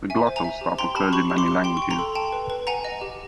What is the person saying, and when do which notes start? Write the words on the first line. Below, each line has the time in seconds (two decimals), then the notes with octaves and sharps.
The glottal stop occurs in many languages.
0.10 E5 G#5
0.27 C5
0.36 G#5 A#5
0.44 E5
0.61 G4
0.78 G5 A#5 C6
0.95 G4 A5 B5
1.13 G4 B5 C#6
1.30 G4
1.38 C6 D6
1.48 G4
1.64 G5 C6
1.77 C#6
1.82 G5
1.91 A#5 C6
1.99 A4
2.15 G5 A5
2.32 B4
2.50 B4
2.67 F#5 G#5 A#5
2.84 D#5
3.01 G4